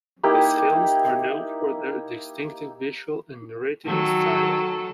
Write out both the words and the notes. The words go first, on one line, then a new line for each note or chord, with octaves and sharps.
His films are known for their distinctive visual and narrative style.
A#3 D#4 E4 G4
D#3 F#3 A4